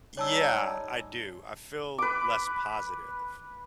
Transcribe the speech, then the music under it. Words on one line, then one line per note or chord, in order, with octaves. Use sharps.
Yeah, I do. I feel less positive
G3 D#4 C#5 G#5 A5 E6
B4 D6